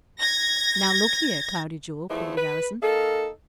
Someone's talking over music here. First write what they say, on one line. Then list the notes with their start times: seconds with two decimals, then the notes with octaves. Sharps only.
"Now, look here, Cloudy Jewel," pleaded Allison.
0.18 G#6 A#6
2.10 E2 F3 A3 E4 A4
2.37 B4
2.82 A#3 D#4 A4